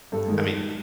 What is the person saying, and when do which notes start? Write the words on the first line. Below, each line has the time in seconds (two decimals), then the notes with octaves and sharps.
I mean,
0.12 G2 A4
0.28 D#3 G#3